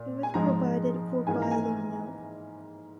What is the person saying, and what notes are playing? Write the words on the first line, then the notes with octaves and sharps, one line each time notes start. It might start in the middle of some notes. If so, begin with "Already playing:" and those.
It was provided for by law no.
Already playing: A#2
G#5
G#2 F3 G#3 A#5
G#2 E3 A#3 G#5
A#5
G#5